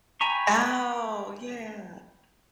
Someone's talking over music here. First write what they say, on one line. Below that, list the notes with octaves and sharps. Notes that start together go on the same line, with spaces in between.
Oh, yeah.
G5 G#5 A#5 B5 C#6